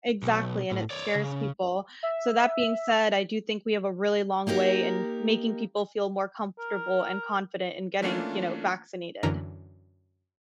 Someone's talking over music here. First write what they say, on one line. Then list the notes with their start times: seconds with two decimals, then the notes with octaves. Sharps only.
exactly, and it scares people, so that being said, I do think we have a really long way in making people feel more comfortable and confident in getting, you know, vaccinated.
0.23 B1
0.71 A2
0.90 C#5 D5
1.15 C#3
2.03 E5
4.47 A#3 D#4 G4 A#4
6.59 A#4
8.02 E3 A3 A#3 C#4 D4 F4
9.23 F#2 D3 E3 A#4 A#5 B6